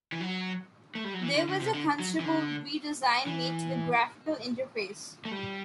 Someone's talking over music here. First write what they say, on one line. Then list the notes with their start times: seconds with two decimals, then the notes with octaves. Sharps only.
There was a considerable re-design made to the graphical interface.
0.12 E3
0.21 F#3
0.95 A3
1.04 G3
1.14 F#3
1.23 E3
1.36 D3
1.49 D3
1.61 C3
1.74 D3
2.00 F#3
2.20 E3
2.25 D3
3.27 E3
5.25 A3
5.31 G3